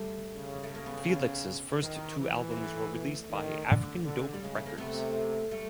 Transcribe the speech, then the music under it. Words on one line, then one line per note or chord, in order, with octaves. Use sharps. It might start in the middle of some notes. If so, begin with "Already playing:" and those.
Felix's first two albums were released by African Dope Records.
Already playing: G3 A3
C#3
A3
A#3
B3
C4
B3 C#4
D#3 A#3 C4
E3
C4
A3 B3
D#3
D3
D3
G3
C#3 G#3
A3
A#3
C3 A3 B3
G3 A3